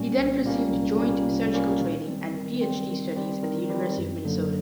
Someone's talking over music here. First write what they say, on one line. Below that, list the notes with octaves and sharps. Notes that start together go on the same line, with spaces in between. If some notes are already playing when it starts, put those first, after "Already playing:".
He then pursued joint surgical training and Ph.D. studies at the University of Minnesota.
Already playing: A#2 G3 A#3 C#4
C2
A#2 G3 A#3 C#4
C2
A#2 G3 A#3 C#4
C2
A#2 G3 A#3 C#4
D#3
G3 C4
D#3
G3 C4
D#3
G3 C4
D#3
G3 C4
F#2
D3 F#3 A#3